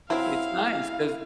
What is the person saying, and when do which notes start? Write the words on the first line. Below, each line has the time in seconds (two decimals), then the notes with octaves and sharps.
it's nice 'cause
0.10 F#3 C4 E4 F5